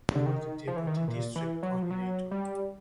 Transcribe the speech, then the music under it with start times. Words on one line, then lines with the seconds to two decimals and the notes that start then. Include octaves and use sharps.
He was the Deputy District Coordinator.
0.15 D3
0.26 D#3
0.68 F3
0.77 E3
0.87 D#3
0.97 E3
1.08 A#2
1.36 E3
1.63 F#3
1.82 F3
1.91 F#3
2.31 G3